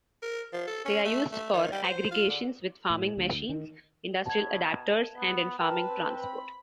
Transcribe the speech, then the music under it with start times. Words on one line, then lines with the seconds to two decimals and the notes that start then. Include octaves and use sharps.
They are used for aggregations with farming machines, industrial adaptors and in farming transport.
0.23 A#4
0.53 F3
0.67 A4
0.85 C#4
1.05 A3
1.32 A3
1.53 D#3
1.72 G3
1.84 C5
2.11 F4
2.28 D3
2.90 A2
3.17 D2
3.49 D#3
4.26 B2 A5 G#6
5.15 B3
5.60 A#4 B4 G5 A5
5.88 C4
6.21 B5